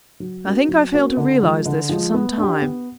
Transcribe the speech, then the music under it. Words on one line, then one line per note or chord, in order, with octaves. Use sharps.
I think I failed to realize this for some time.
F#3
A#3 C#4 F#4
F#3
A#3 C#4 F#4
D3
F3 G#3
D3
F3 G#3
B3
D4 G4
B3